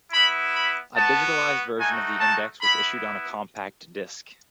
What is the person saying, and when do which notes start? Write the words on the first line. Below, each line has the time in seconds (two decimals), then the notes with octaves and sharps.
A digitalized version of the index was issued on a Compact Disc.
0.12 B3 E4 B5
0.55 B5
0.95 B3 F#4 A5
1.79 A3 D#4 F#4 G#5
2.20 A5
2.62 B3 E4 B5